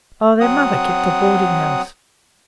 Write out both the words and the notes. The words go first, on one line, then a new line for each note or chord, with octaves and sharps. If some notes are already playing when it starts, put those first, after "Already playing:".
'Oh! their mother kept a boarding-house.
F#3 C4 F#5 D#6